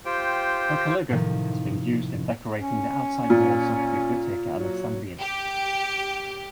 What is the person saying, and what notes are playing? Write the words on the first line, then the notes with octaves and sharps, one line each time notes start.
Her calligraphy has been used in decorating the outside walls of Bibliotheca Alexandrina.
F4 G4 C5 G5
A2 C3 D#3 F3
C#4
A#2
F#3
G4